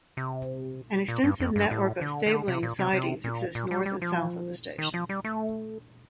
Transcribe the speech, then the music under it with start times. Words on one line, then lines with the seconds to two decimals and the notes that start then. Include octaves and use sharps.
An extensive network of stabling sidings exist north and south of the station.
0.17 C3
1.08 A#2
1.24 G2
1.40 F2
1.56 G2
1.71 A2
2.01 D3
2.26 D#3
2.32 D3
2.48 C3
2.63 A#2
2.79 C3
2.93 C3
3.24 A#2
3.55 A#2
3.71 G3
3.85 G3
4.02 F3
4.78 D#3
4.94 F3
5.09 G3
5.24 A3